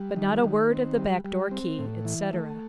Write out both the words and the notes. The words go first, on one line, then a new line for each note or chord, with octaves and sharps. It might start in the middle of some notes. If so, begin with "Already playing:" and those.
But not a word of the back-door key, etc.'
Already playing: G3
D#3
D#3
C4
G3
G3
C4
A2
E3
A3